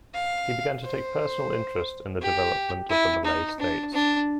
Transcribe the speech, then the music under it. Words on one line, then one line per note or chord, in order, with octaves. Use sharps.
He began to take personal interest in the development of the Malay States.
F5
C5
G4
E4
D#4
D4
D4